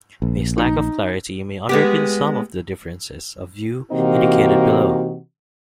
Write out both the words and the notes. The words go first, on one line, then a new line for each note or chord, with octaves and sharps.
This lack of clarity may underpin some of the differences of view indicated below.
A#1
D#4
G#3 B3 G4
C3 E3 A#3 C4 D#4 F#4